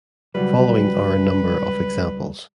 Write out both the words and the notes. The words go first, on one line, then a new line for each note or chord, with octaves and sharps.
Following are a number of examples.
C#2 F#3 G3 B4